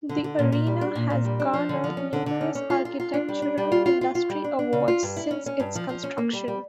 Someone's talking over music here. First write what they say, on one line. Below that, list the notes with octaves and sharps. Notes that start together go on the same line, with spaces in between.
The arena has garnered numerous architectural industry awards since its construction.
D3
D3
A#2
A#2
G3
D4
A#2
A#2
G3
D4
F3
D3
F3
C#4
D3
D3
C#4
C#4
F4
F4
F4
D4
G3
D4
G3
F4
F4
F4
F4
G3
D4
D4
C#3
F4
G2
E4
C#4
C#4
G2
F3
F3
C#4
A#3
G3
G3